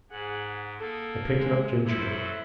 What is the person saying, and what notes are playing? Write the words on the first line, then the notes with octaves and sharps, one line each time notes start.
I picked it up gingerly.
G#2 G#4 F#5
A#3 A4 D#6
G#3
F#2 F#3 E4 A4 C5